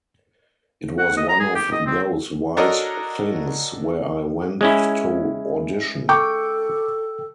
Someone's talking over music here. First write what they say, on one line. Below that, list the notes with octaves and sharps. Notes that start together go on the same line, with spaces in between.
It was one of those wild things where I went to audition.
F#5
D#5
A#5
G#4
G4
D#5
C4
D4 F#4 A4 A#4 C#5 D#5
G#3 C#4 E4
A4 G5 C#6 D6